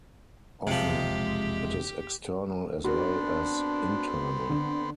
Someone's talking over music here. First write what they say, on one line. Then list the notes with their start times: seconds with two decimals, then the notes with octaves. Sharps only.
Often, it is external as well as internal.
0.67 E1 A#1 F2 C3 F3 G#3 G4
2.84 B3 C4 D4 F#4 A#4
4.50 D3